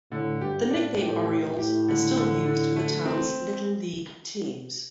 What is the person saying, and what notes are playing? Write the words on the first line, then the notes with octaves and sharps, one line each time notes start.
The nickname "Orioles" is still used for the towns' little league teams.
A2 D3
G2 G4
A2 D4
A2 G4
G4
A2
G4
D3
D3
D3
A3
C4